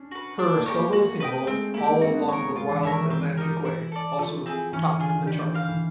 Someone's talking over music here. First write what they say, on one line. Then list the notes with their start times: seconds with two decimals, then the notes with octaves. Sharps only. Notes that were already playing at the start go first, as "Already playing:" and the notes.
Her solo single "All Along the Wild Atlantic Way" also topped the chart.
Already playing: C#4 D4
0.11 F#4 B4
0.38 A3 D4
0.56 A#3
0.66 G4 A#4 C#5
0.75 A#3
0.93 A3 F#4
1.20 B4 D#5 G5
1.47 G#3 C4
1.60 A3
1.74 A#3 E4 G4
1.88 A#3
2.01 C4 F#4
2.14 B3
2.28 C4 A#4 C#5
2.42 B3
2.55 G#3 F4
2.70 E3
2.83 D#3 A#4 C#5 E5
2.96 E3
3.10 C4
3.37 D#4 G4 A#4
3.65 E4
3.92 A4 D5
4.19 F3 A3
4.46 C4 E4 G#4
4.73 E3 C#4
4.91 D3
5.00 F4 G#4
5.09 D#3
5.21 D3
5.27 D#3 G4
5.40 E3
5.54 C5 F5
5.68 E3